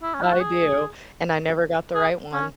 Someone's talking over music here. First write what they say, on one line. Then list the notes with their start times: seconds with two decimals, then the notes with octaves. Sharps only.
I do, and I never got the right one.
0.03 E4
0.14 C#4
0.23 E4
0.32 F#4
0.40 G#4
1.94 G#4
2.33 C#4